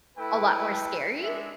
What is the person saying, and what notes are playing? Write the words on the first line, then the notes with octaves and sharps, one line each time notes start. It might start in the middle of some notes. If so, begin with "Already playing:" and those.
a lot more scary.
A3 E4 A4 B4 G5
G#3 D4 E5